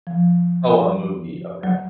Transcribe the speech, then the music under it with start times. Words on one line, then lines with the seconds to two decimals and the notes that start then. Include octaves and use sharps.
Oh, a movie, okay.
0.07 F3
1.63 F#3